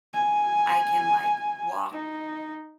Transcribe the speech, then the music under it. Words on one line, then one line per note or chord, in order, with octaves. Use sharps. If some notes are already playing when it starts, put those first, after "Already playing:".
I can, like, walk
G#5
D#4